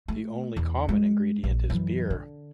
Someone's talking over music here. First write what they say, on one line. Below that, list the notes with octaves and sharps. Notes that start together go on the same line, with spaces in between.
The only common ingredient is beer.
A3
E2
G#3
A#1
F#2 E3
D3